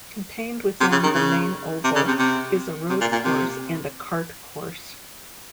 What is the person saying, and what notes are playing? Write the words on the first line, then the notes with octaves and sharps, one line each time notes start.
Contained within the main oval is a road course and a Kart course.
C3
C#3
D#3
C#3
C3
C#3
C3
C3
C3
A#2
A#2
C3